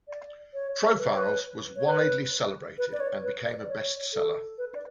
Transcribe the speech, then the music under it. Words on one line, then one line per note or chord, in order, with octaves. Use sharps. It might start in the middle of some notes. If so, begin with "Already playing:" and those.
"Profiles" was widely celebrated and became a best seller.
D5
C#5
B4
C#5
B4
C#5
B4
B4
D5
C#5
B4
D5
C#5
A4
B4
D5